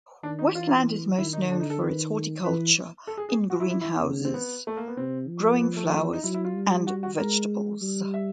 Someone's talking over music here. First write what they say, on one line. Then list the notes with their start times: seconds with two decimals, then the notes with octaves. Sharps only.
Westland is most known for its horticulture in greenhouses, growing flowers and vegetables.
0.23 D#3 D4
0.39 D#4
0.54 E3 F4
1.18 D#3 E4
1.33 D#4
1.49 D3 D4
1.60 D#4
1.70 A4
1.81 D#3 B4
2.44 E3 B4
3.07 A4
3.17 G#4
3.29 G#4
3.50 F#4
3.60 E4
3.70 E4
3.81 E4
4.03 C#3
4.25 C4
4.34 B3
4.67 A3
4.77 A#3
4.88 B3
4.97 C3 C4
5.28 F3
5.60 B3
5.77 A3
5.92 A3
6.13 D#4
6.23 F#3 E4
6.34 E4
6.45 F4
6.56 G3
6.87 F#4
7.03 F#4
7.18 G#3 A#4
7.82 G3
8.14 E5